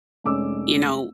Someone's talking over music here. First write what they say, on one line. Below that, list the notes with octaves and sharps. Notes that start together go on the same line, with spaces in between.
you know
F1 G#3 C#4 D6 E6